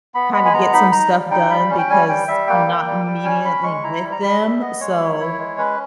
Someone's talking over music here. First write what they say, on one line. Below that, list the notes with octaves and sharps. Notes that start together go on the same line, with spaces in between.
kinda get some stuff done, because I'm not immediately with them, so
B3 B5
G#3 B5
G#5
B3 A#5
D#4 B5
D#4 A#5
G3
D#4 G5
G3 B5
C#4
G5
G3 G#5
G3 G5
G3 E5
A#3 G5
A#3
G3
G3
C#4 G#5
C#4 B5
G#3 C#6
E4 A#5
G3
A#5
G3 B5
G3 E5
B3 D#5
G#3 C#5
E4
E4
G#3
C#4 B4